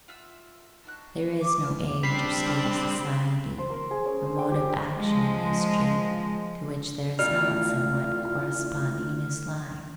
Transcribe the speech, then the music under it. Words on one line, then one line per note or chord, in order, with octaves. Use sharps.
There is no age or state of society or mode of action in history to which there is not somewhat corresponding in his life.
F4 E5 F#5 E6
D4 D#4 F#4 F#6
G#5 D6
E4 F6
G3 C4 D4 B6 C7
C5
A#4
G#4
C#4
C5
G5
G4
F3 G#3
E2 A2 A3 F4 F#4 D5 F6